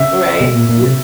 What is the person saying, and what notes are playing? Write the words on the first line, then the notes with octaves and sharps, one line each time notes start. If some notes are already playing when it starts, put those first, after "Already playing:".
Right, y
Already playing: C#3 E5
B2
A#2
A#2
C3